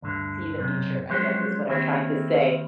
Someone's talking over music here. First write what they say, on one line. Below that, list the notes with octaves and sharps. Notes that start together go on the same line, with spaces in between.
see the future, I guess is what I'm trying to say.
D2 G2 D3
B1 F#2 C3
F3 F#3 G#3 C#4 C5
D#3 A#3 C4 E4 G4